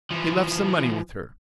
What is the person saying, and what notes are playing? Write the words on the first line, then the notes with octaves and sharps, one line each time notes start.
He left some money with her.
E3 F3